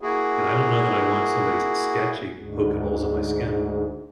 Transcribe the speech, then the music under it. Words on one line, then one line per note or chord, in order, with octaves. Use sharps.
and I don't know that I want somebody sketchy poking holes in my skin.
A#3 E4 F#4 G#4
D2 G#2